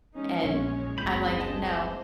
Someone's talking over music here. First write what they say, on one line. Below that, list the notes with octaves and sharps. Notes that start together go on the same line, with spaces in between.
And, I'm like, "No.
E2 G#3 C#4 D#4
A#1 C#4 C#5
F#1 C#2 C4 G#4 B5 G6
E3 C5 D#5 A5